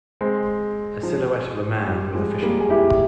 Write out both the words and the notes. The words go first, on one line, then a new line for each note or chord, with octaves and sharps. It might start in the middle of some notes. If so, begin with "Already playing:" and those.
A silhouette of a man with a fishing pole.
G#3 C4
F3
G3
F3 G#3
G3 A#3
G#4
E4 G4